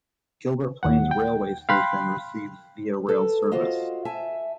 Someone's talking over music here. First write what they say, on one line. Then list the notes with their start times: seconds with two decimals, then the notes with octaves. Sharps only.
Gilbert Plains railway station receives Via Rail service.
0.83 D#2 F#5
1.11 G5
1.69 F5 G5 B5 C6 F#6
3.09 A4 B4
3.51 F4 F#4 C5 D#5 F5
4.05 E5 G#5 A5